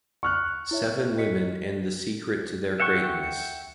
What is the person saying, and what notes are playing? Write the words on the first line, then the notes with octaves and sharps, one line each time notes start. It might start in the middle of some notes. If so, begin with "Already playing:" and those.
Seven Women And The Secret To Their Greatness.
C#6 F6 F#6
E4 C#5 E5
D#5 B6 C#7
E5 F#5 G5 C#6